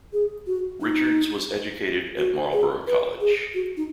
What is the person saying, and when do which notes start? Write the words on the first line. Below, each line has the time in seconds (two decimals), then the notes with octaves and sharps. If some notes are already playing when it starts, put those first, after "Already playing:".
Richards was educated at Marlborough College.
0.13 G#4
0.47 F#4
0.81 D#4
2.18 F#4
2.52 G#4
2.87 B4
3.21 G#4
3.54 F#4
3.77 D#4